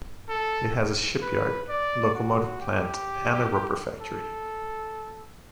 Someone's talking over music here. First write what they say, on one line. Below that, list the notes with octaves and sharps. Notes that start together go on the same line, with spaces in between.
It has a shipyard, locomotive plant, and a rubber factory.
A4
B4
D5
F#4
G4
A4